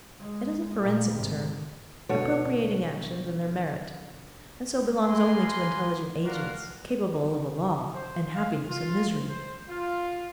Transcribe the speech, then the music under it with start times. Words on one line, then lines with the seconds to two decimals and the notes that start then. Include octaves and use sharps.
It is a forensic term, appropriating actions and their merit; and so belongs only to intelligent agents, capable of a law, and happiness, and misery.
0.20 G#3
0.81 A#2 A#3
1.14 G#1 C3
2.09 B2 D3 C#5
4.99 A#3 B4 G#5 C6
6.24 D4 F4 F#4 A#4 F5 F#5
7.95 C5
8.34 F5
8.67 F4
9.29 C5
9.68 F4